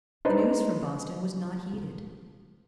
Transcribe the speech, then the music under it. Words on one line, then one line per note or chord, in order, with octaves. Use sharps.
The news from Boston was not heeded.
D4 D#4 B4 C5